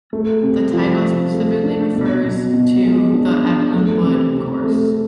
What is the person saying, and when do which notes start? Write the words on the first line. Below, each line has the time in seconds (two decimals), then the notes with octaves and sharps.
The title specifically refers to the Evelyn Wood course.
0.13 A3
0.43 C3
0.73 F3
1.04 C3
1.34 A3
1.64 D4
1.94 B2
2.23 B2
2.53 B2
2.83 G#3
3.13 D4
3.44 D4
3.74 A3
4.04 C3
4.34 C3
4.64 A3